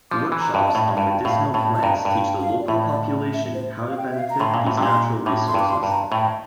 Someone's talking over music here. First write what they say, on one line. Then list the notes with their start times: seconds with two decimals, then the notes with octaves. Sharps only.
Workshops on medicinal plants teach the local population how to benefit these natural resources.
0.11 F3 D6
0.32 E3
0.39 A#5
0.54 G2
0.68 A5
0.75 A2
0.97 G2 G5
1.25 A2 F5
1.54 A2 A5
1.75 A5
1.82 G2 A#5
2.05 G2
2.11 G5
2.40 F5
2.60 D5
2.68 A2 E5
2.90 D5
3.33 E5
3.54 C5
3.89 F5
3.97 G5
4.11 E5
4.18 F5
4.30 A#5
4.40 A2 C6
4.54 A#2
4.67 A2
4.77 C3
4.82 A#2 C6
5.26 A2 D6
5.47 C6
5.54 G2 D6
5.69 C6
5.83 G2
5.90 A#5
6.12 A2 G5